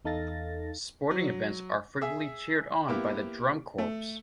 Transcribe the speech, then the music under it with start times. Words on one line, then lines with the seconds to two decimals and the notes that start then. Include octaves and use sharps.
Sporting events are frequently cheered on by the Drum Corps.
0.05 E2 D#4 A4 F5 A6 A#6
1.11 F#3
2.01 G#4 E5
2.88 A#3 B3 E4 G4
3.78 A3